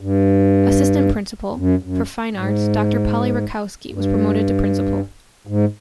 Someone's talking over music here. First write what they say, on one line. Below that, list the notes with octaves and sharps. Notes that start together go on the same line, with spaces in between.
Assistant Principal for Fine Arts, Doctor Polly Reikowski was promoted to Principal.
G2
F#2
F#2
G#2
G2
G#2